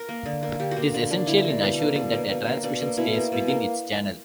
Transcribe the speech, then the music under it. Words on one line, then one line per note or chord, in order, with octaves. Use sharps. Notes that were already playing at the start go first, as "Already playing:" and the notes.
It is essential in assuring that a transmission stays within its channel.
Already playing: A#4
A#3
D3
A#3
D3 G4
F#4
A#3
D3 D4
A#3 D4
D3 E4
D4
A#3
D4
B2
A#3
B2 D4
A#3
B2
A#3
B2 D4
A#3
B2 E4
A#3
B2
A#3